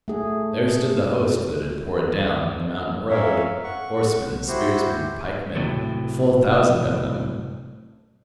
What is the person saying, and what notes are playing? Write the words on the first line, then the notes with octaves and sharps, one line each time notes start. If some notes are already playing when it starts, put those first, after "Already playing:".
There stood the host that had poured down the mountain road, horsemen, spearsmen, pikemen--a full thousand of them.
A3 G#4
C#4 A#4 C#5 E5 F5
F#5 C#6
E4 F#4 G4 C5
A2 C3 F3 F#3